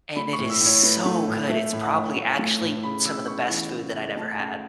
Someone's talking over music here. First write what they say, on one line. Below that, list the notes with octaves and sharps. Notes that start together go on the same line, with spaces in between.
and it is so good. It's probably actually some of the best food that I'd ever had.
A3 B5
C#6
A2
E6
A2 C#5
A3 B4
A3
A2
A3 E5
A2
F#5
A2
A3
A3
A2
C#3 B5
C#3 E6
B3 C#6
E3
C#3
C#3
A3 A5
A5
C#3 F#5